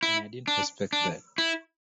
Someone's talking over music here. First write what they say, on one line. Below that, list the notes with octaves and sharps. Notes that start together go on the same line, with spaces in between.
And I didn't respect that.
E4
D4
D4
E4